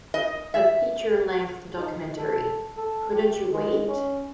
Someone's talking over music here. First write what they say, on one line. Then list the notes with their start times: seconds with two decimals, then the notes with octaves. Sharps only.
A feature-length documentary, Couldn't You Wait?
0.14 D#5
0.54 E5
1.78 D#4
2.18 A4
2.77 A4
3.13 G4
3.53 G#3
3.88 C#4